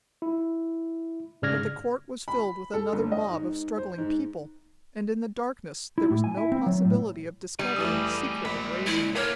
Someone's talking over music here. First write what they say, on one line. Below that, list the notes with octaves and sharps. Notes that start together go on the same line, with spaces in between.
But the court was filled with another mob of struggling people, and in the darkness there was no possibility of discovering the secret of raising it.
E4
G#2 C#3 D5 F6 G#6 A#6
B5
A4
G1
D#5
G#2
C5
G#2
E4
A2
G#5
E4
C4
F#3
A2
G3 G#4 B4
F1 E3 D#6
A#1 G#3 B5
E4
F#2 A3 A#3 C#5 F6